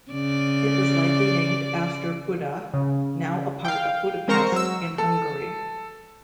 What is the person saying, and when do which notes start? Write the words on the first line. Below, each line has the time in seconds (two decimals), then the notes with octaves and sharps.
It was likely named after Buda, now a part of Budapest, in Hungary.
0.11 C#3 D5
2.74 C#3
3.65 F5 G5
4.28 G#3 C4 A#4 C5 A#5 C#6
4.52 F#3 E6
4.98 A4